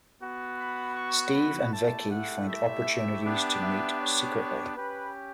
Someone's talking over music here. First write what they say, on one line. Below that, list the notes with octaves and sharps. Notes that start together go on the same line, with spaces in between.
Steve and Vickie find opportunities to meet secretly.
B3 F#4
B5
C#6
B5
A3 E4 G4 A5
F#5
E5
B3 D4 G4
E5
C#5
C#4 G4 B4